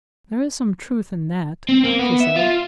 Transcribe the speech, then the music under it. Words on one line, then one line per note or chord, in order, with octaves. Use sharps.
"There is some truth in that," she said.
C4
A#3
B3
E5
F4